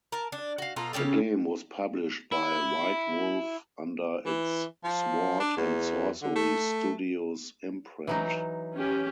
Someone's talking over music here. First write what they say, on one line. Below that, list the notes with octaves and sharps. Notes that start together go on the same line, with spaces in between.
The game was published by White Wolf under its Sword and Sorcery Studios imprint.
A#4 A5
D4
F#4 F5
B2 F4 A4 A#5
C#3 C#4 G4 A4
E4
E3
F3
D4
E2
D3
A3
E3 F#3 D#4
C#4 G4